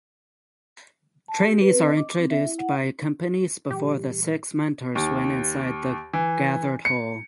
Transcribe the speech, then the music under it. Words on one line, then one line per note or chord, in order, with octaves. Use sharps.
Trainees are introduced by companies before the six mentors went inside the gathered hall.
A5
G4
B4
C4
D#5
D6
C4
E5
E4
F#5
A#2 E3 G3 G4
D#2
E3
C#7